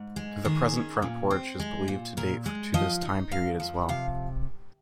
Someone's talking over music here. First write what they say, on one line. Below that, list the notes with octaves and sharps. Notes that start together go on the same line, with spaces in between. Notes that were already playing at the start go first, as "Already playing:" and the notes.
The present front porch is believed to date to this time period as well.
Already playing: G#2
G#3
D#3 G#4
C#4
A#2
C4
G#3
A#2
A#2 A#4
G#3
F3 D#5
D#4
F2 F5
F3
C3 F5